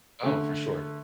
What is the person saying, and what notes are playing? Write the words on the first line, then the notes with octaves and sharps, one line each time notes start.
Oh, for sure.
D3 A3